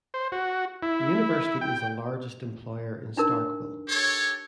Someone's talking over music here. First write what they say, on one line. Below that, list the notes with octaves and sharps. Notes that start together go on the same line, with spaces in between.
The university is the largest employer in Starkville.
C5
F#4
E4
G5
D4 D#4 A#4
G4 A4 C#5